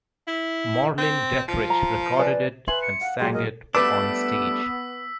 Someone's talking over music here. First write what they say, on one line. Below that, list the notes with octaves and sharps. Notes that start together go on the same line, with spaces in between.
Marlene Dietrich recorded it and sang it on stage.
E4
C4
F3
A#5
B4 D5 G#5
B4 E5 G#5 C6 F#7
C#7
F5 F#5
A#2 F#3 G#3 G5 C6
A#4 D#5
G3 A3 B3 D4 B4 D6 E6 B6